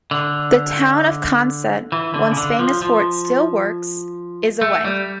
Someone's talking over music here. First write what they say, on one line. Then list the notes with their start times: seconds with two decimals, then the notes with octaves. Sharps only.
The town of Consett, once famous for its steel works, is away.
0.11 D3
1.92 E3
2.14 D3
2.32 C#3
2.37 D3
2.59 F3
2.82 F3
4.61 A3
4.85 G3